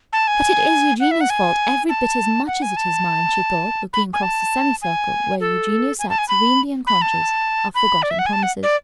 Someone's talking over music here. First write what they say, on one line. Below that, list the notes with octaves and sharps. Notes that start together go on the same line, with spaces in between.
"But it is Eugenia's fault every bit as much as it is mine," she thought, looking across the semicircle, where Eugenia sat serenely unconscious of forgotten promises.
A5
G#5
F#5
E5
F#5
G#5
A5
F#5
G#5
A5
B5
G#5
A5
G#5
A4
G#5
A5
G#5
B5
B5
A5
B5
D5
E5
F#5
G#5
A5
F#5
D5